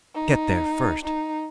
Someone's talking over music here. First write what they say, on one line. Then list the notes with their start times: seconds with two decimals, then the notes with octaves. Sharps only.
Get there first!
0.14 D#4
1.04 D#4